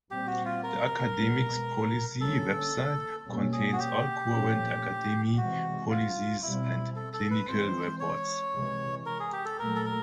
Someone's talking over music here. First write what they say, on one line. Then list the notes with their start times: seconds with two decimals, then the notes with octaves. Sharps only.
The academy's policy website contains all current academy policies and clinical reports.
0.10 A#2 G3 C4 G4
0.27 F#4
0.46 F4
0.63 A#4
1.16 B2 G#3 B3
2.21 D3 G3 A#3 C#4 A4
3.26 B2 G3 A#3 C#4
3.53 G#4
3.72 F#4
3.79 G4
4.32 A#2 F3 A3 C#4
5.37 C3 E3 G#3 C4 F#4
5.90 F4
6.42 B2 G3 C4 E4
6.96 A4
7.13 A4
7.31 B4
7.48 E3 G#3 C4 C5
8.00 C#5
8.53 C3 E3 G#3
9.06 A#4
9.20 G#4
9.33 G4
9.45 A4
9.59 A#2 F#3 A3 A#4
9.76 A4
9.86 A#4